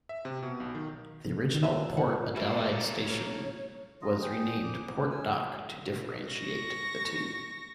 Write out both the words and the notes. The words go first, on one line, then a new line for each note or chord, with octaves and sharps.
The original Port Adelaide station was renamed Port Dock to differentiate the two.
E5
C3
B2
B1
D#3
F4 B4 E5
F#5
G3 A3 A#3 A4
C#5
F#3 F4 D#5
G#4 G5
D6
C#4 G#5 E6
C#6 A#6